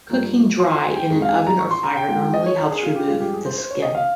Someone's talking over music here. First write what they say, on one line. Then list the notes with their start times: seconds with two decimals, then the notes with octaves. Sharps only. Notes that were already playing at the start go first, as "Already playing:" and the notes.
Cooking dry in an oven or fire normally helps remove this skin.
0.10 G2 F3 A#3
0.60 C6
0.72 C6
0.85 G#5
0.96 G5
1.09 F2 D#3 G#3
1.22 F5
1.34 G#5
1.47 A#5
1.59 C#6
1.71 C6
1.83 A#5
1.96 G5
2.08 G#2 F3 G#3 G5
2.21 G5
2.34 D#5
2.46 C#5
2.58 A#4
2.71 G#4
2.83 F4
2.96 G4
3.07 G2 F3 G#3 F4
3.21 G4
3.33 G#4
3.45 C5
3.58 C5
3.70 C#5
3.82 D#5
3.95 F5